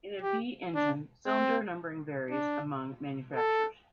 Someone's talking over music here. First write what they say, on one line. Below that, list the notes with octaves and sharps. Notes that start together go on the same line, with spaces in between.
In a V engine, cylinder numbering varies among manufacturers.
G4
D4
C4
D4
A4